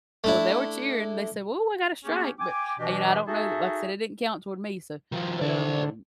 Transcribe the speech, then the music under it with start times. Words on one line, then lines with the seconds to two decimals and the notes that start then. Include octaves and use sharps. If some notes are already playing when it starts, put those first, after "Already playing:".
Well, they were cheering, they said, "Whoo, I got a strike," but, uh, you know, I don't know like I said, it didn't count toward me, so but, um b
0.24 A3 D4 E4
2.04 A#3 B3 C#4 G4 G#4
2.38 G5 G#5 D6
2.79 B2 E3 D4 G4 D#5
3.27 D#4 F#4 G#4 A4 E5
5.12 D#3 F3
5.41 D3 C5 D5